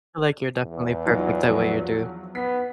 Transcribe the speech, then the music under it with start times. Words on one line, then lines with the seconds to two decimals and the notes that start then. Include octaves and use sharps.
I like you're definitely perfect the way you do.
0.61 E2
1.06 F#3 D#4 F4
1.49 F3 F#3
2.35 B3 B6